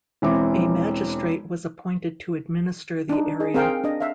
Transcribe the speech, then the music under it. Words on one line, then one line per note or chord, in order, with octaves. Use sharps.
A magistrate was appointed to administer the area.
E1 E3 C4 D6
D4 D#4
G#4 D#5
C4 G#4 A#4 F5 G5
D4 D#5
E5 F5